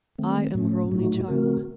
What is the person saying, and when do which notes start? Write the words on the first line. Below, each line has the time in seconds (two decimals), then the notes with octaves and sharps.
I am her only child.
0.18 D#3 A3 C4
0.55 A2 A3 C#4
0.92 A2 F#3 A3 D#4 F#4
1.28 C#3 A3 C4 F#4 A#4